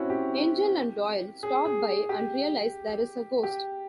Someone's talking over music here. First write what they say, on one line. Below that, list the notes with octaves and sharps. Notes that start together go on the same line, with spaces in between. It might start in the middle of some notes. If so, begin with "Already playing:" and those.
Angel and Doyle stop by and realize there is a ghost.
Already playing: C4 C#4 E4 F#4
G4
G#4
G#4
G4
G4